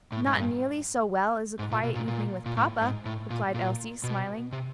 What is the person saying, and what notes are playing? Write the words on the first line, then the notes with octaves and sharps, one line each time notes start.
"Not nearly so well as a quiet evening with papa," replied Elsie, smiling.
A2
G#2
G2
G#2
A#2
B2
A#2
A#2
A#2
A2
G#2
A2
A#2
A#2
B2
C3